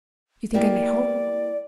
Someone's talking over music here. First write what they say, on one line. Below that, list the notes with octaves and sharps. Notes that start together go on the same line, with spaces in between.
You think I may hope?
A#3 E4 G4 D5